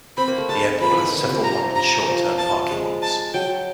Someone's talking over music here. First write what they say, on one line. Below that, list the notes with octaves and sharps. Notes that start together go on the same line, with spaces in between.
The airport has several long and short term parking lots.
C4 B5
A#3
A3
G#3 A5
F3 B5
E3
D#3
D3
C3
F3
A#5
A#5
F3
A5
G#3
A5
F#3 G5